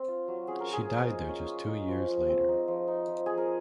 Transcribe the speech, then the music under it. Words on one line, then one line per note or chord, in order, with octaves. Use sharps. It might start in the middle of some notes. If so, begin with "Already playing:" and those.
She died there just two years later.
Already playing: C4
F4
F#3
C#4 G#4
A#4
F4 G#4
F3
G#3
C#4
F4
D#4
F3
F3
C4
D#4
F3
D#4
F3
F3 G#4
A#4